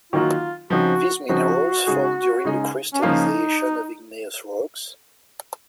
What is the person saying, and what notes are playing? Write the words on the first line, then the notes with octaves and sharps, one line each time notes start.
These minerals formed during the crystallization of igneous rocks.
D#3 F#3 A#3 D#4 F4 F#4
C#3 F3 C4 D#4 F#4
C#3 F3 C4 D#4 F#4
C#3 G#3 D#4 G#4
C#3 G#3 D#4 G#4
C#4
C#3 F3 A#3 D#4 F4